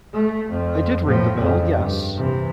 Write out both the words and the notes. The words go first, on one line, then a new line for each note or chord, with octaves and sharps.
I did ring the bell, yes.
A3
F2
A2 F3
F2 C#3
G2
C3 E3